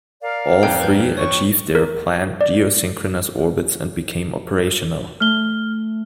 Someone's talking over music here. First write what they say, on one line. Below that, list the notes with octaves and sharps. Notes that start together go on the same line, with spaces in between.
All three achieved their planned geosynchronous orbits and became operational.
A#4 D5 F5
F2 G5
B4 G6
C#5 C#6
A#4
D5
A3 F6 G7